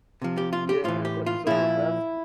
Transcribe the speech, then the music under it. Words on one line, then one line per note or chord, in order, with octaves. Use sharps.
yeah, so that's
C3 F3
G4
F4
G4
A2 E3 F4
G4
F4
A#2 F3 E4